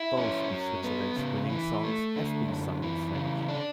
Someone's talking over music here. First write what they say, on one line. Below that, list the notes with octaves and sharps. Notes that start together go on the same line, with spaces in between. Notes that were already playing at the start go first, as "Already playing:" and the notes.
Both of Switzerland's winning songs have been sung in French.
Already playing: E4
C#4
F#3
B3
C#3
E3
A3
D3
F#2
E3
C#3
D4